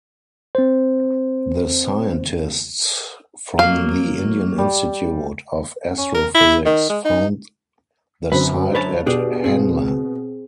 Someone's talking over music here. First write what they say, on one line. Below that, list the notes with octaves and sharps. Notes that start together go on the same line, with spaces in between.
The scientists from the Indian Institute of Astrophysics found the site at Hanle.
C4 C5
F#3 A#3 F5
G3
C#4
A#4
E4
D#3
G#3
D#4
F#2 D3 C4 B4
B4 C#5 A5
B2 D4 G4 G#4
C4 G#4